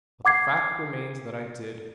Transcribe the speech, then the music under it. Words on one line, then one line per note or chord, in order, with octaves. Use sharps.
But the fact remains that I did.
F#5 D6 G#6 C7